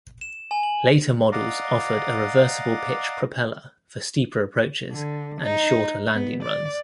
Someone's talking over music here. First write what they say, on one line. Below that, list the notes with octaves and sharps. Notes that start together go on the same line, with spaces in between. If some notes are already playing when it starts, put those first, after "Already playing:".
Later models offered a reversible pitch propeller for steeper approaches, and shorter landing runs.
E7
G#5
F#7
D5 D#5 F5 F#5 A#5 D6
D3
D#4
B3
D5